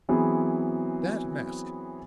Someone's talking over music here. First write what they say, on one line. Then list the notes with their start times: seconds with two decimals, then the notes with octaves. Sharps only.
That mask!
0.09 E3 F#3 B3 C4 G#4